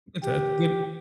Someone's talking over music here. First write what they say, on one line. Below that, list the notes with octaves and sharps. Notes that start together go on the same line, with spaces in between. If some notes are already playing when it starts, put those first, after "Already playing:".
That's a that's a good
G4